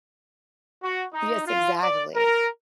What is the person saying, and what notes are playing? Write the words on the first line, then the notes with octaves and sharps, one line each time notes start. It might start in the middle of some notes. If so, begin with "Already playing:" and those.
Yes, exactly.
F#4
D#4
F4
D5
A#4